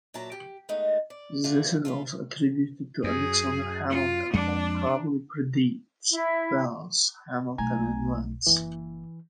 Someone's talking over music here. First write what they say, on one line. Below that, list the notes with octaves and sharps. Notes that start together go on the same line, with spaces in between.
This is also attributed to Alexander Hamilton, but probably predates both Hamilton and Vance.
A#2 F#3 E5 A5 A#5
G4
G#3 A3 B3 D#4
D5
A3 F4 F#4 D5
F4 A4 E5
F#2 G#4
F4
F2 G#3 D4
E4
B1 A3 G#5 A#5 G#6
F#1 E3 A#3